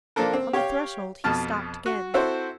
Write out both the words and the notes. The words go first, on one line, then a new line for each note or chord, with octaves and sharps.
On the threshold he stopped again.
F3 A#3 D4 A4 A#4
C4
G4 C#5 F5 G5
F2 B2 A5 F6
F#4
C4 E4 F#4 A4 C5